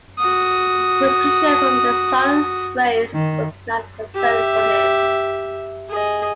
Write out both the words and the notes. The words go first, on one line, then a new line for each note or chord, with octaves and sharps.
Protection from the Sun's rays was not a concern for him.
F#4 D#6
D#3
G4 E5
G#4 D#5